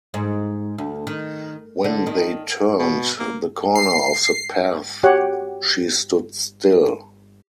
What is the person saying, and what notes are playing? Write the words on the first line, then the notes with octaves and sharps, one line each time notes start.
When they turned the corner of the path she stood still.
G#2
D2
D#3
D3
D#3
B2
A#3
C7
F#4 G4 C#5 F#5